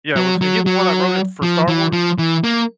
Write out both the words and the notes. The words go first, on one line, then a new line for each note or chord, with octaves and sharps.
Yeah, was h he the one that wrote it for Star Wars?
F#3
F#3
F#3
F3
E3
F3
E3
A#3